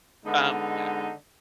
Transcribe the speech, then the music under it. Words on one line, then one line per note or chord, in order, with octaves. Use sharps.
Um, yeah.
D3 G#3 B3 D#4